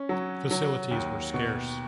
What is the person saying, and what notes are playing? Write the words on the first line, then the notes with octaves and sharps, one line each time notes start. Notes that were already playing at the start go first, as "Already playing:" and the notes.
Facilities were scarce.
Already playing: C#4
F#3
F#3
D#2
B2